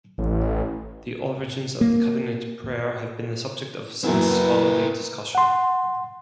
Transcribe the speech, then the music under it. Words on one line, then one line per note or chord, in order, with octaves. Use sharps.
The origins of the covenant prayer have been the subject of some scholarly discussion.
A1
A#3
F#2 E3 A#3 B3 E4 A#4 B4
F#5 C6